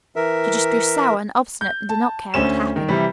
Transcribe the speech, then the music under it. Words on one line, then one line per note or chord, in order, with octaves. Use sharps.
She just grew sour and obstinate and did not care what happened.
E3 A#4 E5
G6
A5
D2 C#4 C5 E7
D#3
C3 E3 G3